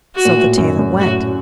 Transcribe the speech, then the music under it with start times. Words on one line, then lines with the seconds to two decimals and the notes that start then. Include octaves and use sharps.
So the tailor went.
0.15 F#4
0.25 A#2
0.37 A2
0.58 F#2
0.79 F#2
1.00 A2 F#4